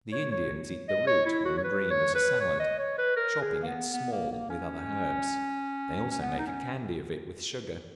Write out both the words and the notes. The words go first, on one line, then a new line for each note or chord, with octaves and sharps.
The Indians eat the root when green as a salad, chopping it small with other herbs; they also make a candy of it with sugar.
C#5
C#5
D#5
C#5
E4
F#4
C#5
B4
C#5
B4
C#5
D#5
C#5
B4
A#4
G#4
A#3
B3
B3
A#3
A#3
C#4
C#4
B3
D#4
C#4